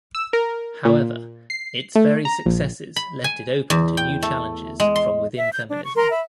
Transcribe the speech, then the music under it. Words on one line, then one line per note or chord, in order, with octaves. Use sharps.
However its very successes left it open to new challenges from within feminism.
E6
A#4
A#2
C7
A3
A#5
A#1
B5
G#5
E2
G5
A3
G#3
C6
E5
G6
D4
C#6
A#4 A#5 C6
E5 B5